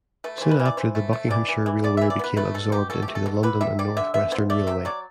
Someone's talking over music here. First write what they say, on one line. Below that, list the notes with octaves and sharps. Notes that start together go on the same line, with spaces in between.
Soon after the Buckinghamshire Railway became absorbed into the London and North Western Railway.
A3 B4
E3 C5
B4
E3
D5
E3 C5
A3
A3
E3 D5
E3
E3
B3 D5
E3 E5
D5
B3 B4
A3 B4
B2 A4
B2 G4
B2 A4
G4
A3
A4
B2
D3 B4
G3 E5
G3 D5
D3 E5
B3 E5
B3 C5
A3 D5
C3 E5
F#3 D5